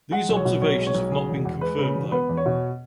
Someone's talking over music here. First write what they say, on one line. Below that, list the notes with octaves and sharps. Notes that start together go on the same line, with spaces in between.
These observations have not been confirmed though.
G#3 F#5
B1
C#5
B2
B1 C#5
G#3
C#5
B1
C#3 G#4
E1
E2
G#3 B4
C#3
E1
B3 B4
E2
C#5
B2